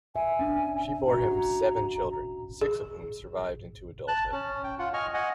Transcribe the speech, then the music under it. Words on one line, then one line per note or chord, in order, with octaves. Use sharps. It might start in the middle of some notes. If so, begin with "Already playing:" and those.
She bore him seven children, six of whom survived into adulthood.
E5 G#5
C#4 D4
F#4 A#5
G#4
A5 F#6
C#4
G5
F4 F#5
D#5 G#5 C#6 F6
D#5 F#5 G#5